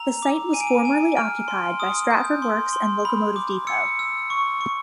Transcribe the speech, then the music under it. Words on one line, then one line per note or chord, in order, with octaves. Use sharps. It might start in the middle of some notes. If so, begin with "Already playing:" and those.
The site was formerly occupied by Stratford Works and Locomotive Depot.
Already playing: A#5 E6 F7
D6
G#5 D#7
D7
D#7
G#5
F6 D7
C6
D#6
G6
C6
C6
B5
D6
E6 C#7
E6
C#6
C#6